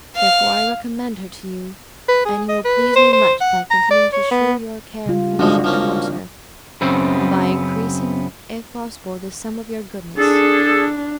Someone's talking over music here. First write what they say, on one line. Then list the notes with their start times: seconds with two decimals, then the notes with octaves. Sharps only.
Therefore I recommend her to you, and you will please me much by continuing to shew your care and friendship towards her, and by increasing, if possible, the sum of your goodness.
0.17 F5
2.08 B4
2.25 G#4
2.49 D#5
2.64 B4
2.96 C5
3.13 C5
3.41 F#5
3.71 A#5
3.90 D5
4.13 C#5
4.31 B3
5.06 C#3 G3 F4
5.39 G#1 D3 F3 G#3 D4 F#4
5.64 F3 A#3 C#4
6.81 F#2 C#3 B3 C4
10.18 D4 G#4 A4